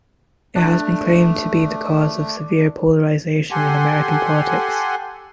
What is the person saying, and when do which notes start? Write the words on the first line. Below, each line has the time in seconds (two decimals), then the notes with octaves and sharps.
It has been claimed to be the cause of severe polarization in American politics.
0.55 A3 D4
3.51 G4 A4 F#5 G#5 C6